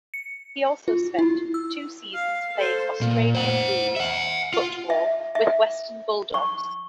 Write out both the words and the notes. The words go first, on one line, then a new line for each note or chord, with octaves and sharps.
He also spent two seasons playing Australian rules football with Western Bulldogs.
C#7
F4
E4
E6
F5
A4 C5
A#2
C5 F#5
E5 F#5
F4
E5
E5
C#6